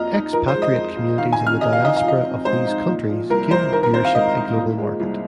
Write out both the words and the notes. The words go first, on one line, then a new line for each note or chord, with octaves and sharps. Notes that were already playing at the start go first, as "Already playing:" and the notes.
Expatriate communities in the diaspora of these countries give viewership a global market.
Already playing: F2 F3 A#3 D#5 A#5 F6
D#4
F3 A#4
C5
G#3
D#5
F2
F4
D#3 F5
G#5
C4
F6
C3 D#5
F5
D#4 D#5
F5
F3 D#5
C4
G#2 C5
D#4
A#2
F3
C2 A#4
C2 C5
D#3 A#4
A#4
C4 C5
F5
G#2 D#5
D#4
A#2
G#3
C2